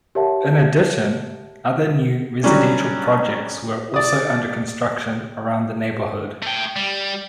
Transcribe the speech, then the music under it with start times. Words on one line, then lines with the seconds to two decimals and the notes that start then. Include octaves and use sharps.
In addition, other new residential projects were also under construction around the neighborhood.
0.15 G4 A#4 C#5 E5 F#5 A5
2.43 F#3 G3 C#4 D4
3.94 D5 D#6
6.42 A3 G5
6.76 G3